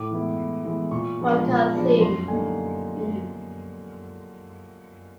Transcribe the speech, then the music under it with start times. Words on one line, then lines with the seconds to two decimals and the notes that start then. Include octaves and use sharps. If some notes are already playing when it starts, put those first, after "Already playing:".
Motto Theme, mm.
Already playing: A2 D6
0.10 E3 G#3 B3 E4
0.37 A2
0.64 E3 G#3 B3 E4
0.91 A#2 C#6
1.19 F3 G#3 B3 D4
1.46 A#2
1.74 F3 G#3 B3 D4
2.00 F#2 C6
2.27 D3 G3 A#3 D#4 G#5